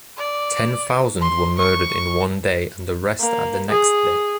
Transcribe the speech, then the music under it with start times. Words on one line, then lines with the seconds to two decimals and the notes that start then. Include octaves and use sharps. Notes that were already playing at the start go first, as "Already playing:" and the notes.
Ten thousand were murdered in one day and the rest at the next day.
0.18 D5
1.22 C6
1.59 C#6
3.20 A#3
3.69 G#4